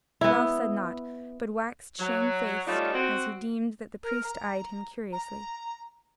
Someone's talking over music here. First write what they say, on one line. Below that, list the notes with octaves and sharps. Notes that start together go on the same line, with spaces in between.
Ralph said nought, but waxed shamefaced as he deemed that the priest eyed him curiously.
B3 E4
F#3
G3 A3 C#4 D#4 F4 D5
C4 F#4
A#4
A#5
A#5